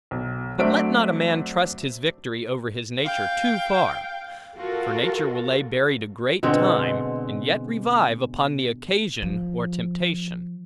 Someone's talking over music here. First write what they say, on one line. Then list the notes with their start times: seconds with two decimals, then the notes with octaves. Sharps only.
But let not a man trust his victory over his nature, too far; for nature will lay buried a great time, and yet revive, upon the occasion or temptation.
0.11 B1
0.59 F#3 A3 C4 D4 E5 D7
3.04 F5 G5
4.57 F4 F#4 A4 A#4
6.43 B2 D3 G#3 C4
9.22 F3